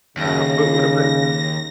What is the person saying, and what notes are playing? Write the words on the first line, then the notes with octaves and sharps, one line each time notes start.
Uh, but what about
D#2 C#3 A#6